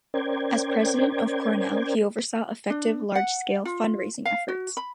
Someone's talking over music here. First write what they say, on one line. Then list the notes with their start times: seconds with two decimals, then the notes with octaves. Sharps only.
As president of Cornell, he oversaw effective large-scale fundraising efforts.
0.14 C#4 A#4 C5 D5 G5 G#6
2.70 D4
3.15 F#5
3.65 F4
4.25 F5
4.48 F#4
4.77 B5